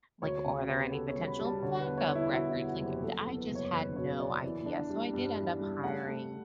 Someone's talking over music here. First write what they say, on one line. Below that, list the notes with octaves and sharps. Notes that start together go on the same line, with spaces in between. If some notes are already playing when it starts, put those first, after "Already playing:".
like, are there any potential backup records, like, i I just had no idea, so I did end up hiring
D2 C#5
C#3
F#4
B3
G4
B3 A4
C#5
G3
B5
G3
A5
D3 C#5
B4
E2
C#5
D3
E4
E2 F#4
E4
G3
F#4
F#1
G4
F#1 A4
A4
E2
B4
F#1
C#5
F#1 B4
B2 C#5
E2 D5
E3
D4
G3
G2
E3
G3
A3 F#5
A3